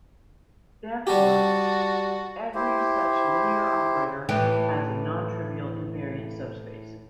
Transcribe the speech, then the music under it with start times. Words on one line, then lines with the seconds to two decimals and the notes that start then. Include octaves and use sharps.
Therefore, every such linear operator has a non-trivial invariant subspace.
1.07 G3 F#4 G4 A5
2.55 E4 G4 C5
4.29 A2 E3 G4